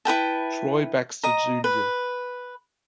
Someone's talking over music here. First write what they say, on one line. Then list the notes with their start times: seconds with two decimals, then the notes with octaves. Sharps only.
Troy Baxter Jr.
0.05 E4 B4 G5 A5
1.23 D#5 A#5
1.64 B4